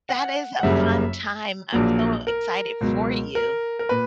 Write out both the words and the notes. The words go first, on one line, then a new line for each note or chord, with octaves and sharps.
That is a fun time. I'm so excited for you.
F#5
F#5
G1 F#2 C#3 G3 A#3 E5
A#1 A#2 F#3 A#3
A#4
C#2 B2 F#3
A#4
A#4
A#2 B4